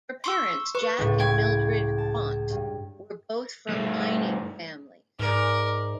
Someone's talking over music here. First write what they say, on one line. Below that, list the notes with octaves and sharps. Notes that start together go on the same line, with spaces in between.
Her parents, Jack and Mildred Quant, were both from mining families.
C6 C#6 E6
B4 C#6
C#2 A2 A6
E4 G5 C#6 G#6
A5
G2
G2 A3
G#2 A#4 D5